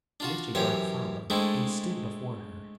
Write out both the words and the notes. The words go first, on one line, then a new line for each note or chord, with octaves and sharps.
Mr. Yorke followed and stood before her.
D4 F4 F#4
F#2 E3 G4 C5 C#5
G#3 A3 C4 D4 E4